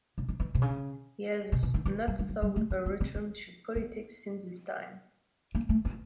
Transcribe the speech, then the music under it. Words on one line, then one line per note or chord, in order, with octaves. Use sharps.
He has not sought a return to politics since this time.
C#3
D#3
E3
C3
C#3
C3
B2
D#3
E3
F#3
G3
F#3
G3
A3
C#4
C4
C4
C4
B3
A#3
A3
B3